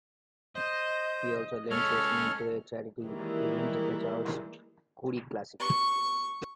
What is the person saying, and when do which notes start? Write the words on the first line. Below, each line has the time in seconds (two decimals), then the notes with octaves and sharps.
He also lends his name to a charity event, the Charles Coody Classic.
0.55 C5 D#5
1.71 G#3 C#4 A4 C#5 F6
3.03 D#3 E3 G3 G#3 A#3 E4
5.60 C#6